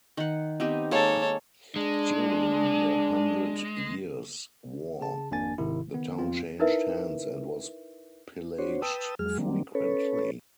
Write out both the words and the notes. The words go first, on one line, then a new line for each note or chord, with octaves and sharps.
During the Hundred Years' War, the town changed hands and was pillaged frequently.
D#3 F#5
B3 C4 D#4 G4
G#3 A#3 A4 C#5
G#3 D4
C#3 G#4 A5
G#1 F2 A#3 D4 G#5 A6
G#1 G#2 C3 D#3 E4
D#3 B3
F2 C4 F4
D#4 E4 A#4 B4 E5
D4 F#4 C5 C#5
B4 G5 A5 D#6 E6
F2 F#3 G#3 G#4 F6
D#3 F#3 G3 A#3 C4 D4
C#4 A4 B4 C#5